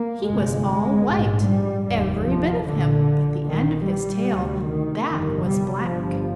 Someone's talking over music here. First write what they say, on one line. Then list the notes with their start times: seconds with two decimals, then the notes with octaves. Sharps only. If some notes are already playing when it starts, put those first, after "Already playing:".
"He was all white, every bit of him but the end of his tail, that was black."
Already playing: A#3
0.24 G1 F2 C3 G#3
0.65 G#3
1.04 A#1 G#2
1.44 G3
1.85 F1 D#2 G3
2.25 F3
2.65 A#1 A#2 D3
3.45 A#1 A#2 D#3
3.86 G3
4.25 D2 C3
4.65 D#3
5.06 G1 F2 C3 D#3
5.47 G3
5.86 G1 G2 F3